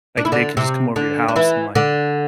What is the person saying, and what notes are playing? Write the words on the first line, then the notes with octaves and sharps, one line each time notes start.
like, they could, just, come over to your house and, like, l
D4
E4
D3 D4
C3 C4
D3 D4
D4
E3 E4
D3 D4